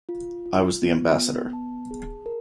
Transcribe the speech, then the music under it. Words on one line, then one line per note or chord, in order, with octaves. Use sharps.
I was the ambassador.
F4
F4
B3
B3
A5
G#4
A#4